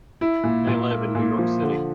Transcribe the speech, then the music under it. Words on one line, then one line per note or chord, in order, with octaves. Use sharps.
They live in New York City.
E4
A#2
A#2
A#3
A#2
F3
D3